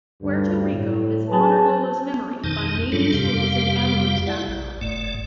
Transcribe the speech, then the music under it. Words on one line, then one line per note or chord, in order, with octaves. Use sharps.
Puerto Rico has honored Lola's memory by naming schools and avenues after her.
D2 G2
A2
F#3 G#4 B4 G#5 A5
F2 B2 D#3 D#4 A5
G2 F#3 G3 D4 F4 A4
F2 C3 G3 G4 F5
E4 D5 F#5
A#1
F#1 G#2 A3 D5